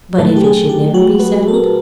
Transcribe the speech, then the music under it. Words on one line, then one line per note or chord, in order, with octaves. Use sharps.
"But if it should never be settled?"
A#2 F#3 A3 A4
G4
G#4
G4
F#4
B4
A4
A#4